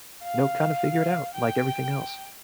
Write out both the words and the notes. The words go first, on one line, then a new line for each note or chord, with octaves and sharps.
know? Kind of figure it out like everything else.
F5
G5